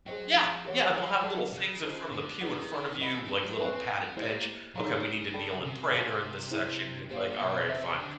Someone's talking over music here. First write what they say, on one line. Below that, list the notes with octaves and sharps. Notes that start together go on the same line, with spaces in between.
Yeah, yeah, and they'll have little things in front of the pew in front of you, like little padded bench, okay, we need to kneel and pray during this section, and it's like, "Alright, fine."
F#3 G#4 C5 D#5 G5
F3
E3 G4 A#4 C#5 F#5
D#3
F3
F#3 A4 D5 F#5 A5
C#3
F4 A4 C5 D#5
D3
D#3 E4 G#4 B4 D5 F#5
E3 A#4 D#5 F#5 B5
E3
F3
F#3
C4 B4 E5 G#5 C#6
C4
B3
A#3 E4 G4 C5 D#5
F#3 D#4 G#4 C#5 F5 A#5
C#3
A4 D5 G5 B5
C3
C3 A4 D5 F5 G#5
E4 G#4 C5
A#2 G4 C5 F5
B2
C3 A4 C5 E5
D3